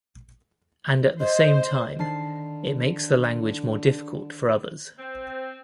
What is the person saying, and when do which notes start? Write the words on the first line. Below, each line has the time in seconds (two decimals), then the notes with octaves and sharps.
And at the same time, it makes the language more difficult for others.
1.20 C5 D#5
1.99 D3 D#3 A5 C7
4.99 C4